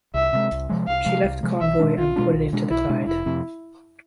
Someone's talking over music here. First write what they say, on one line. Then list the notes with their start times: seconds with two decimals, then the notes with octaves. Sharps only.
She left the convoy and put in to the Clyde.
0.14 C2 E5
0.33 C3 F3 G#3
0.52 C2
0.69 C3 F3 G#3
0.87 C2 F5
1.06 C3 F3 G#3
1.24 C2
1.43 C3 F3 G#3
1.61 B1 E5
1.79 B2 G#3 D4
1.98 B1 F4
2.16 B2 G#3 D4
2.34 B1
2.53 B2 G#3 D4
2.71 B1 E4
2.89 B2 G#3 D4
3.07 F1 E4
3.26 F2 C3